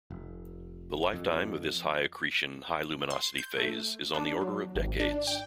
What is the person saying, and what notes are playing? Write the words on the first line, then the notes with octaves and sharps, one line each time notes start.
The lifetime of this high-accretion, high-luminosity phase is on the order of decades.
F1
F2
C6
G6
A3
D4
F#3
G#1
D4
G5